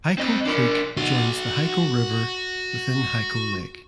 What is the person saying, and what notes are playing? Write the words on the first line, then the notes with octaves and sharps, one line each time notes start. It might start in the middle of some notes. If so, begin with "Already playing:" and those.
Hyco Creek joins the Hyco River within Hyco Lake.
C4 D#5
D4 A#4
F#4 C6